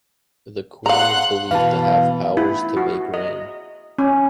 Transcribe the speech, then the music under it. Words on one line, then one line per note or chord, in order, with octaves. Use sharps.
The queen is believed to have powers to make rain.
F5 F#5 A#5 C6 F#6
B2 E3 F5 A5
E4
F#4
D#5
C#4